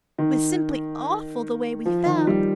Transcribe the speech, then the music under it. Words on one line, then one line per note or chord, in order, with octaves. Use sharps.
It was simply awful the way we felt.
D#3
F3
D#3
G3